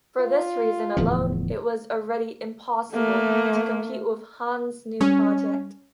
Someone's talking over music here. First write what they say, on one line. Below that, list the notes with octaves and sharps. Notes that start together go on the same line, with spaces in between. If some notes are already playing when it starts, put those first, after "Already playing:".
For this reason alone it was already impossible to compete with Hahn's new project.
F4
D1 E2 F3
A3 A#3
G3 C#4